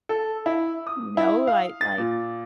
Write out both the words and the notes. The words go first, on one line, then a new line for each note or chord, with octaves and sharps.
you know, I like,
A4
E4
D#6
E4
F5
A6
A#2